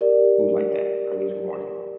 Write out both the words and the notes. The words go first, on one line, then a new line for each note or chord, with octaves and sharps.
food, like that early in the morning.
G4 A#4 D5